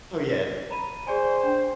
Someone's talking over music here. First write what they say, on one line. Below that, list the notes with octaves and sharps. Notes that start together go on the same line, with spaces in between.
Oh, yeah.
A#5 B5 D#7
G#4 C5 D5 G#5
D4 G5